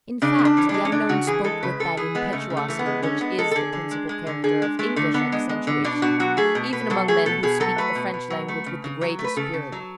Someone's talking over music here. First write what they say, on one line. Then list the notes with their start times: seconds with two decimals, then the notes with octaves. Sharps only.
In fact, the unknown spoke with that impetuosity which is the principal character of English accentuation, even among men who speak the French language with the greatest purity.
0.22 C#3 D4
0.39 C#3
0.45 D4
0.57 E3 C#4
0.69 D4
0.74 G#3
0.85 C#4
0.92 C#3 D4
1.09 C#3 F#4
1.27 E3 G#4
1.44 G#3 A4
1.63 C#3 B4
1.80 C#3 A4
1.97 E3 G#4
2.15 G#3 B3
2.32 C#3 A3
2.50 C#3
2.57 A3
2.68 E3 A3
2.79 B3
2.86 G#3
3.02 D3 C#4
3.20 G#3 B3
3.38 G#3 A4
3.51 A4
3.55 D3 G#4
3.73 D3
3.91 G#3
4.09 G#3
4.27 D3
4.44 D3 G#4
4.62 G#3
4.79 G#3 A3
4.96 D3 A3
5.14 D3 B3
5.32 G#3
5.49 G#3
5.67 D3
5.84 B2 D4
6.02 B2 F#4
6.20 F#3 F#4
6.37 A3 G#4
6.55 B2
6.73 B2 B4
6.90 F#3 A4
7.08 A3 G#4
7.26 B2 A4
7.43 B2 G#4
7.60 F#3 A4
7.78 A3 B4
7.95 B2
8.14 B2
8.30 F#3
8.48 A3
8.66 C#3
8.84 C#3
9.01 F#3
9.19 A3
9.24 B4
9.37 C#3 A4
9.54 C#3
9.72 F#3